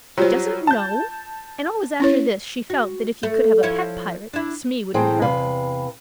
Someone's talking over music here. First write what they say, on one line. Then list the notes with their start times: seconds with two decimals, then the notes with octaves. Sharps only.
"He doesn't know!" and always after this she felt that if you could have a pet pirate Smee would be her one.
0.18 F#3 G3 F4 C5
0.67 A5 G6
2.00 C#4 E4 C#5
2.70 F#4
3.23 A3
3.63 F3 E4 C#5
4.34 D4 E4
4.94 A2 E3 C4 G#4 C5 G5
5.22 E2 C3 B4 F5